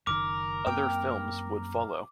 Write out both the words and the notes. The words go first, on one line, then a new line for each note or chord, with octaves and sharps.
Other films would follow.
F#1 D#3 A#4 D6
F#2 A#3 C4 G5